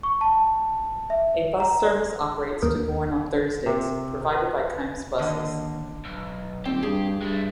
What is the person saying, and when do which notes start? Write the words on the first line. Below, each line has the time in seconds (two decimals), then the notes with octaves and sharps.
A bus service operates to Bourne on Thursdays, provided by Kimes Buses.
0.03 C#6
0.21 A5
1.10 E5
1.60 A#5
1.84 D5
2.62 D#2 A#4 D#6 G6
3.66 C3
4.32 B4
5.19 D#2 D3 D#5
6.05 B1
6.66 D#1 C4 G4
6.83 G2 G#4
7.22 G2 G#3 A3